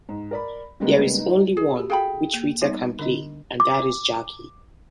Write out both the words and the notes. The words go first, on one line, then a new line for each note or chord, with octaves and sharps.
There is only one which Rita can play, and that is Jacky.
G#2
A#4 D5 B5
C#3 G3 G#3 A#3 B3
D#4
G#4
F#4 G4
F#4 G#4 A4 F5 G5 B5
A#3
G3 B3 D#4
D3 D4 D#5
D6